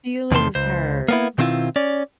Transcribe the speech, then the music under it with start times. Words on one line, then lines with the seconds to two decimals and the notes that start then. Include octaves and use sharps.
feelings hurt.
0.31 E2 C3 D#3 A5 C6
0.55 C#2 C5
1.08 A#3 B3 E4
1.38 B2 D#3 C4 E4 F4
1.76 C#4 D5